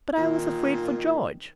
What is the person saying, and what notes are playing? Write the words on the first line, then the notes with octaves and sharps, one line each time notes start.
But I was afraid for George.
A#2 D#3